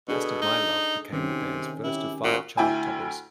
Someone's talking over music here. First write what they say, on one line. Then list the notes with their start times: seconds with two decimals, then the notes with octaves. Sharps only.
"Best of My Love" became the band's first of five chart toppers.
0.08 B2 D4 G#4 A4
0.42 D#4
1.12 C3 D#3 C4 C#4
1.84 C#4 E4 G4
2.24 A#2 F#4
2.57 D2 E4 G5 G#5